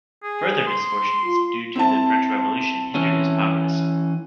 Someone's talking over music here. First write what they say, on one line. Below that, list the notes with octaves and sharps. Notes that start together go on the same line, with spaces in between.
Further misfortunes due to the French Revolution hindered his progress.
G#4
C6
F4
C4 E4 A5
E3 C#4